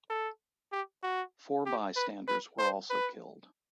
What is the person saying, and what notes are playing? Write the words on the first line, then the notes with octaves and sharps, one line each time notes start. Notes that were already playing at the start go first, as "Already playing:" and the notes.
Four bystanders were also killed.
A4
G4
F#4
G4
B4
B4
C5
B4